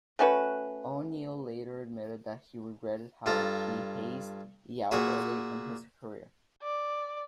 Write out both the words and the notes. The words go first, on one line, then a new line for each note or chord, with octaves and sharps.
O'Neal later admitted that he regretted how he hazed Yao early in his career.
A3 C#4 F#4 B4
G2 F4 A4 A#5
A#2 F#4 G#4 E5
D5